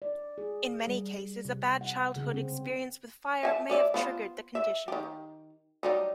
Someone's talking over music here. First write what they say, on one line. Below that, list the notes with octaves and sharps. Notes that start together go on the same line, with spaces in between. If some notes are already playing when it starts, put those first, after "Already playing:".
In many cases a bad childhood experience with fire may have triggered the condition.
D5
G#4
G3
C3
F#5
C#3
C4
E5 G#5 A5
C#5 D5 E5
B3 F4 C5
E5
D#3 G4
F#3 G3 D#4